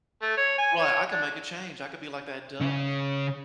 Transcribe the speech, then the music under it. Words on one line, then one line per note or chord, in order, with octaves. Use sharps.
Right, I can make a change, I could be like that duck.
A3
C#5
G#5
C#5
D4
C#3 C#4